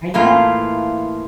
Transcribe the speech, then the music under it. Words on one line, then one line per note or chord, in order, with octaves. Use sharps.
I know.
A2 E3 A3 A#3 F4